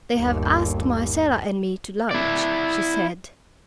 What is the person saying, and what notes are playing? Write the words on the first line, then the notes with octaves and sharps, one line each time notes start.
"They have asked Marcella and me to lunch," she said.
G1 D#2
E4 D5